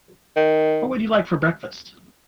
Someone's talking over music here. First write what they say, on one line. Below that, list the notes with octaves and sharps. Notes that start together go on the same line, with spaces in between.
What would you like for breakfast?
D#3